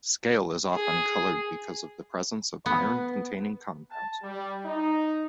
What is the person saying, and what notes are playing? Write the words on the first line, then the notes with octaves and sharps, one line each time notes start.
Scale is often coloured because of the presence of iron-containing compounds.
G#4
B3
A5
G3
D#4